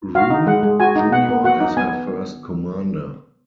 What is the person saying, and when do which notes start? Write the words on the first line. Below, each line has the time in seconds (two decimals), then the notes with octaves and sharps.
Rule, Junior as her first commander.
0.15 F#4 F5
0.30 D#4
0.46 G#3 F#5
0.63 G#3
0.80 F#4 G#5
0.96 D#4
1.12 B3 F#5
1.29 B3
1.44 F#4 F#5
1.60 D#4
1.77 B3 G#5